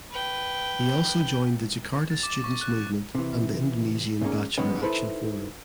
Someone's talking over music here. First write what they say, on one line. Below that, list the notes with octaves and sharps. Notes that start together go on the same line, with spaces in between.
He also joined the Jakarta Students Movement and the Indonesian Bachelor Action Forum.
B4 G5
A6
D6
C#6
F#6
C3 E3
D2 G#2 A#3 C#4
D#3 F#3 G#3 B3 C#4
D#4 E4 A4 B4 C5 E5